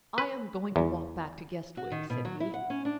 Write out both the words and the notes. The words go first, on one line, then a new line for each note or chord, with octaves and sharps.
"I am going to walk back to Guestwick," said he.
B4
E2
F#4
D#3
B2
F#3
E4
F#5
C#4
D4